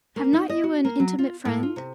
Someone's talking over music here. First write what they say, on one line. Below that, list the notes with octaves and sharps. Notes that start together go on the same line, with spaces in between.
"Have not you an intimate friend?"
A#3
D#4
D#5
F#4
A#3
F#3
F4
A2
F4
C3